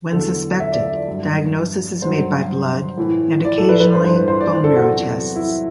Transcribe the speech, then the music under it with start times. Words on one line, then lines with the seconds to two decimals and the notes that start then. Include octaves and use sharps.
When suspected, diagnosis is made by blood and, occasionally, bone marrow tests.
0.12 E2 D3 F#3 A4
0.60 E5
0.72 D5
0.84 E5
1.07 G2 F#3
2.02 G2 F#3 C5
2.98 A2 E3
3.45 D5
3.57 A4
3.69 B4
3.80 B4
3.93 G2 E3 C5
4.04 C5
4.16 B4
4.28 C5
4.41 D5
4.52 C5
4.64 A4
4.76 F#4
4.88 E2 C3 F#3
5.36 E4